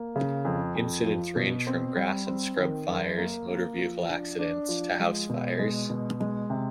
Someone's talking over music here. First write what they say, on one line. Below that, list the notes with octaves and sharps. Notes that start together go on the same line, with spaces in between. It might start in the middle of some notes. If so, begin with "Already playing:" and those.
Incidents range from grass and scrub fires, motor vehicle accidents, to house fires.
Already playing: A#3
C#3
F2
F2
F3
B2
C4
G3
C4
D#3
F#2
A#3
A#3
F3
D4
D4
F3
G#3
B2
G#3
B2
G#3
C3